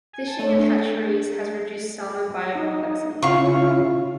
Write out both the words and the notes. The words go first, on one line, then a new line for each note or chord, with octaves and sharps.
Fishing and hatcheries has reduced salmon biocomplexity.
G#5
A5
A3 C#5
D4
D#4
C#3 E4 F4 F5 C#6